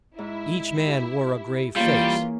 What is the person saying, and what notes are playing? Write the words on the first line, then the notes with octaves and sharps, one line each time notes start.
Each man wore a grave face.
G#2 E4
G4
E3 G3 A#3 C#4 F4 G#4